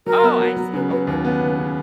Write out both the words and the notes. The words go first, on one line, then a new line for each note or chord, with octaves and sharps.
oh, I see, okay.
F#3 A#4
B3
F#3
F#3
C#3 B4
F#3 B4
D#2 B4
B3 B4
C#3
C#3